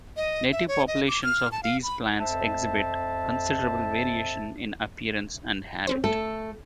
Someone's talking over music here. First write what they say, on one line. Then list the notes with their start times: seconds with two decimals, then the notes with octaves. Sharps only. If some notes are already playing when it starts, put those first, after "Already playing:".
Native populations of these plants exhibit considerable variation in appearance and habit.
0.17 D#5
0.52 E5
0.68 C#5
0.88 D#5
1.08 D6
1.23 F6
1.52 A5
1.63 F5
1.83 B5
2.19 F2 C5 E5 A5
5.87 C4 C#4 C5
6.04 A3 A4